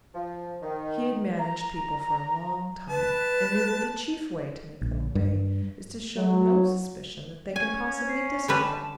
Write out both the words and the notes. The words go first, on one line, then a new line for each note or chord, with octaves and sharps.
He had managed people for a long time and knew that the chief way to make them obey is to show no suspicion that they can possibly disobey.
F3
D#3
A#5
B4 A5
A#1
G2
F#3
C#4 G#5 G#6
C7
D3 G3 B4 A5